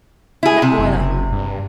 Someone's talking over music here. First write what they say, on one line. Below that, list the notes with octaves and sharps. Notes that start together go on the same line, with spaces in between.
Let boil up.
E4 G#4
C3
F#1
G2